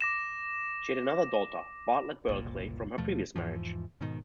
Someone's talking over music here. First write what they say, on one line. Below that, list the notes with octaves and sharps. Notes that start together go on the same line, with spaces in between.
She had another daughter, Bartlett Bulkley, from her previous marriage.
D6 A#6 E7
F#1 C2 A#2
D#2 B2 F3 A3
E2 G#2 E3 F3
G#2 B2 D#3